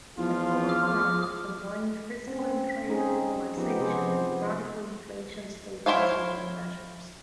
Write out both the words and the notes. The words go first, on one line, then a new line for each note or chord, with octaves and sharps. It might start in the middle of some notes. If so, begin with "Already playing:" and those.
The Collor plan combined fiscal and trade liberalization with radical inflation stabilization measures.
E2 F3 F4
G#4 D6 F6
C4 C#4
C4 C#4 D#4 G#4
F3 B3 D#4 G4
C3 F3 B3 G#4 C5
E4 G#4 C5 C#5 F5